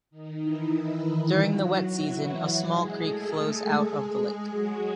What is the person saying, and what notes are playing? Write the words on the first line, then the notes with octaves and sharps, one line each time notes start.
During the wet season a small creek flows out of the lake.
D#3 D#4
E3 E4
F#3 F#4
E3 E4
F#3 F#4
G#3 G#4
A3 A4
A3 A4
A3 A4
G#3 G#4
G#3 G#4
F#3 F#4